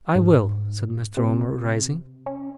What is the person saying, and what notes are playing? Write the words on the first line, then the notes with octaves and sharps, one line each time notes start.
'I will,' said Mr. Omer, rising.
G#2
C3
C#4